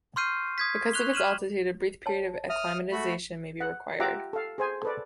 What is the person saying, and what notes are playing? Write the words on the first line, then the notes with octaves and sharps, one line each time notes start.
Because of its altitude, a brief period of acclimatization may be required.
C6 C#6 F6 G6 C7 D#7
D#6 G#6 B6
C#6 F#6 F7 G7
F6 D#7 E7 F#7
C#5 A5
E5 D#6 F6
A3 F#4 B5
F#5
F4 G4 E5 F#5 A#5 D6
A4 F5
G#4 C5 G#5
A4 B4 D5